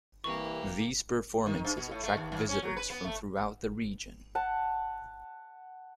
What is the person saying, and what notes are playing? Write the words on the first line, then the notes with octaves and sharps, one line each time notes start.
These performances attract visitors from throughout the region.
C2 E3 A#3 G4 C#6
D#3
G2
B2
A2
A3
D#2
D#2
C#4
F#3
B4
B3
A3
F#5 A5